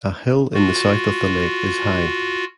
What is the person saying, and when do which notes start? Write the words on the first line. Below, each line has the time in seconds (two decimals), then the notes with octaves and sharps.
A hill in the south of the lake is high.
0.54 F4 F#4